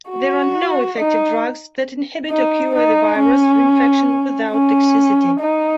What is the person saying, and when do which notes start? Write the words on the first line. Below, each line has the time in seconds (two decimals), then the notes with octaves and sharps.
There are no effective drugs that inhibit or cure the virus infection without toxicity.
0.10 F#4
0.98 D#4
2.31 D#4
2.75 D#4
3.19 C#4
4.51 C#4
5.40 D#4